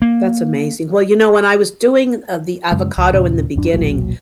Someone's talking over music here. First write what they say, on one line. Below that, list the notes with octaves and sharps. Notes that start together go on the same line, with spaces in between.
That's amazing. Well, you know, when I was doing, uh, the avocado in the beginning,
A#3
F#2 C#3 G#3
C#2
D#2 A#2 C#3
D#1 F#2 D4
E1 B1 A#2 F#3